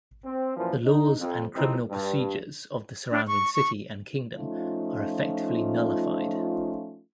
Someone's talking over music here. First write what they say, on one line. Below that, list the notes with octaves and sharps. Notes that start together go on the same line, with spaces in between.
The laws and criminal procedures of the surrounding city and kingdom are effectively nullified.
C4
F#2 A#2 E3 F3
D#4
F2
C2 A2 F3 C4 D#4 E4
G2
D4
C#6
C#6
F3 A3 C#4 D#4 F4